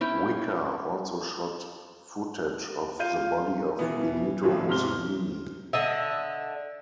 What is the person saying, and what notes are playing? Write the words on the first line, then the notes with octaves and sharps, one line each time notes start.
Whicker also shot footage of the body of Benito Mussolini.
C#4 E4 G5
F4 G6 D#7
B2 E3 B3
G#1 C#2 A2 F3 F#3
G#2 C3 F6 G7
D3 D#5 E5